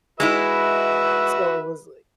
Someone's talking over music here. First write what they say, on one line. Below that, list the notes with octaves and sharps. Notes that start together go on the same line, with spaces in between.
So it was, like
G#3 D#4 E4 F#4 B4 E5